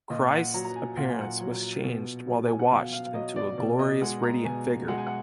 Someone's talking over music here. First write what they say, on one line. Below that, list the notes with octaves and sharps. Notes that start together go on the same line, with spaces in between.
Christ's appearance was changed while they watched into a glorious radiant figure.
A#2 D#5
F#5
F#3 A#5
A#5
G#5
A#2 F#5
G#5
F#5
F#3
B2
F#3
G#5
F#5
B2 F5
F5
F5
F#3 D#5
D5
B2 D5
D#5
G#3 F#5
A#5
B2 G#5
G#3 F#5
G#5
F#5